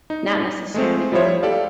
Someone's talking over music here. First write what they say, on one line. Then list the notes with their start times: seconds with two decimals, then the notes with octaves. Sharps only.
not necessarily going in a
0.10 D#4
0.74 G#3 A3 C4
1.12 F3 G3 E4 C5 C#5 E5
1.43 G4 A4 D5 F5